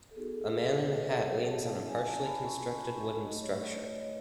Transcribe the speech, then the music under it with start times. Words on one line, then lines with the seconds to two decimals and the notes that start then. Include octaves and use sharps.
A man in a hat leans on a partially constructed wooden structure.
0.11 A4
0.16 B3 D#4 F#4 G#4
0.35 A4
0.54 B4
0.65 B4
0.73 C#5
0.92 D#5
1.11 F#5
1.50 A5
1.69 F#3 C#4 E4
1.88 G#5
2.07 A5
2.20 A5
2.26 B5
2.45 C#6
2.86 B5
2.97 C#6
3.21 A3 D#4 F#4 D#5
3.41 C#5
3.60 B4
3.79 C#5
3.98 D#5